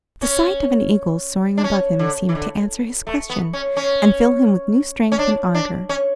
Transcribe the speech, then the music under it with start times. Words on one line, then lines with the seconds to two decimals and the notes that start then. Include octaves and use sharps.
The sight of an eagle soaring above him seemed to answer his question, and fill him with new strength and ardor.
0.22 C#4
1.57 D4
1.64 C#4
1.99 D3
2.29 E3
2.35 D3
3.07 A3
3.30 B3
3.53 C#4
3.77 C#4
5.12 C#4
5.19 D4
5.55 D4
5.89 C#4